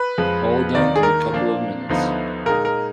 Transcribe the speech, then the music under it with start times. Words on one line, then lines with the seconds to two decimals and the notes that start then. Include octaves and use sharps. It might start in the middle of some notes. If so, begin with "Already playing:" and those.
All done in a couple of minutes.
Already playing: B4
0.18 F2 F3 G#3
0.75 D#2 D#3 A#3 D#4 D5
0.96 G#4
1.03 A#4
1.32 A#2 F3 A#3 D4
1.89 D2 D3 F3 B3 D#4
2.46 A#2 G#3 D#4 A#4
2.65 A#4